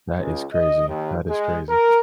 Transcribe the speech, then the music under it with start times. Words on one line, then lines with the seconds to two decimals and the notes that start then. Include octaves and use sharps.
That is crazy. That is crazy.
0.17 C#2
0.54 D#5
0.87 D#2
1.29 G#3
1.68 A#4